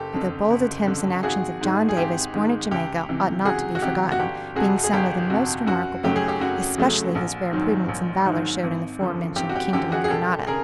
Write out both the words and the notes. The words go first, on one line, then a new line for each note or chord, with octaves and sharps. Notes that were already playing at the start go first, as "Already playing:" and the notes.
But the bold attempts and actions of John Davis, born at Jamaica, ought not to be forgotten, being some of the most remarkable; especially his rare prudence and valour showed in the fore-mentioned kingdom of Granada.
Already playing: F#1 G4 A4
F2 D3
F#1
F2 D3
G#1 F#4 G#4
G#2 D#3 G#3
G#4
G#1 G4
G#2 D#3 G#3
C#2 G4
C3 E3
C#2 F#4 G#4
F#4
C3 E3 G4
F#4
G1 G4
F2 C3 F#4 G#4
G#4
G1 G4
F2 C3 F#4
F#2 F#4
C#3 F#3 A3 G4
G#4
G4
F#2 F#4
C#3 F#3 A3
A#1
G#2 D#3 F#3
A#1
G#2 D#3 F#3
G#1
F#2 D3 F3
G#1 G4
F#4
G4
F#2 D3 F3 G4
F#4 G#4
G#4
E1 G4 A4
C#3 G#4 A#4